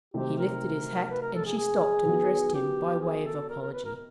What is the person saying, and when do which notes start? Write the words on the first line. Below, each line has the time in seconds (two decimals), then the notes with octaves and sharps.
He lifted his hat, and she stopped and addressed him by way of apology.
0.14 C3 D#3 F#3 A3 C4 G4
0.38 A#4
1.10 B4
1.21 A#4
1.34 A4
1.46 G#4
1.58 G#4
2.06 D#3 F#3 B3
2.54 G4
3.01 G#4
3.25 A4
3.49 A#4
3.61 A#4
3.73 B4
3.85 A#4